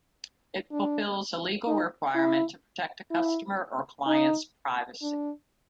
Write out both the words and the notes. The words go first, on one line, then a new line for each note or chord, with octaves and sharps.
It fulfills a legal requirement to protect a customer or client's privacy.
D4
D#4
E4
E4
D#4
D4